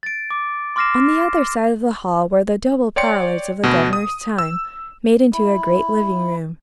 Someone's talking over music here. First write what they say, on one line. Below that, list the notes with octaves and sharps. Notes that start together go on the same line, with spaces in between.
On the other side of the hall were the double parlors of the governor's time, made into a great living room.
A6 D7
D6
C6 D6 F6 A#6 C7 E7
C#5 D5 G5 C6 C#7
D2 B2
D#6
E6
E4